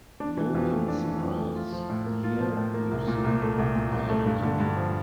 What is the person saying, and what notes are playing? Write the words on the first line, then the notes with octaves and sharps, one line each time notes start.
Nolan smiles, Here, you see, I have a country!
D4
E3
F2
A3
D4
E3
F2
A3
F4
F3
A2
A#3
F4
F3
A2
A#3
C2
A#2
C2
A3
C2
A#2
C2
A3
G2
D3
G2
F3